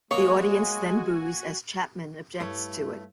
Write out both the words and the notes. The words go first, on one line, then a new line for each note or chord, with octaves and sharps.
The audience then boos as Chapman objects to it.
G#3 A#3 F#4 G#4 C#5 G#5
G2 A3 E4 C#5